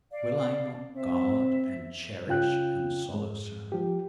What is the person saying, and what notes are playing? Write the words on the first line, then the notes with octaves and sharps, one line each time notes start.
Will I not guard, and cherish, and solace her?
D5 F5
C4 E5
C#3 C#4 F4 G5 F#6
G#2 G#3
F3 G4